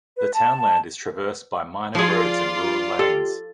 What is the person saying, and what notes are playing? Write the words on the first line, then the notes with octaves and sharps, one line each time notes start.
The townland is traversed by minor roads and rural lanes.
B4
A5
F3 F4 G#4 D5 C6
G4 A4